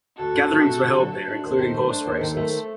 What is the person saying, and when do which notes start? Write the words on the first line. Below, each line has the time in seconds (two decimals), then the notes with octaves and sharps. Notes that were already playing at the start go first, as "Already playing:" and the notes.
Gatherings were held there, including horse races.
0.18 D2 F#4 A4
0.35 D3
0.51 A3
0.65 C4
0.81 D3
0.97 F#3
1.12 A3
1.28 D4
1.43 D#2 A4 C5
1.59 D#3
1.74 A3
1.90 D4
2.06 D#2
2.21 D#3
2.37 A3